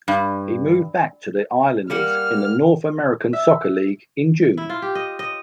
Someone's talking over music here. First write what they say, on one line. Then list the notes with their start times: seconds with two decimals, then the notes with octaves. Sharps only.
He moved back to the Islanders in the North American Soccer League in June.
0.08 G2
1.90 G3 A#3 F#5 F6
3.33 E5
4.57 E4
4.70 F4
4.82 G4
4.95 D#5
5.19 D#5